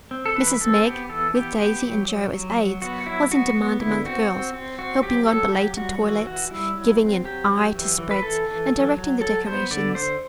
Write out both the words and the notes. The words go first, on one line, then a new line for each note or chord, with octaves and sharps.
Mrs Meg, with Daisy and Jo as aides, was in demand among the girls, helping on belated toilettes, giving an eye to spreads, and directing the decorations.
C4
A4
E3 B4
C4 A4
B3 G4
E3 A4
B3 G4
B3 G4
F#3
F#3
F#3
F#3
B3 F#4
F#3 E4
B3 F#4
B3
D3 E4
C4 F#4
C4
C4
C4 F#4
F#3 G4
F#3 A4
F#3 G4
G3 F#4
E3 F#4
E3 F#4
G3 E4
F#3
C4
F#3 G4
F#3
E3
E3
B4
E3 A4
E3
F#3
F#3
F#3 A4
B3 C5
D3 D5
D3 C5